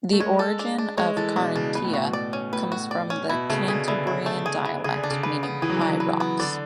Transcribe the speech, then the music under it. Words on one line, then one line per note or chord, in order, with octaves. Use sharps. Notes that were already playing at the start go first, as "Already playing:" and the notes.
The origin of "Carrantia" comes from the Cantabrian dialect, meaning "high rocks".
A3
G#3 C#5
A4
D4
D4
G#3 C#5
E3 A4
B2 D4
C#3 D4
B2 B4
A2
B2 F#4
D5
C#4
A2 B4
F#4
D5
C#4
B2 E4
C#3 A3
D3 G#4
D3 E3
E4
A3
G#4
E3
C#3 G#4
D3
D4
C#3
B4
B3
E3 G#4
F#3
E3 D4
B4
B3
D3 D5